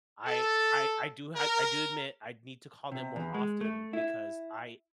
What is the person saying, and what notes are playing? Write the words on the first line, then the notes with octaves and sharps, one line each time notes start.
I I I do ha I do admit I need to call them more often because I
A4
A#4
C3
E2
G#3
A3
E4